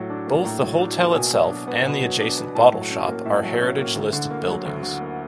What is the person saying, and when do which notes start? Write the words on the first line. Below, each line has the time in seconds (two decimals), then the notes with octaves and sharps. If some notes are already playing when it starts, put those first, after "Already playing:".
Both the hotel itself and the adjacent bottle shop are heritage listed buildings.
Already playing: A2 F#3
0.10 D4
0.27 A#3
0.45 A2 A#5
0.62 F#3
0.80 D4
0.97 A#3
1.15 B2 G#5
1.32 F#3
1.50 D4
1.67 B3
1.85 B2
2.03 F#3
2.20 D4
2.38 B3
2.55 A2 A5
2.73 F#3
2.90 C#4
3.08 A#3
3.25 A2 E5
3.43 F#3
3.60 C#4
3.78 A#3
3.95 D2
4.13 D3
4.30 A#3
4.48 F#3
4.65 D2
4.83 D3
5.01 A#3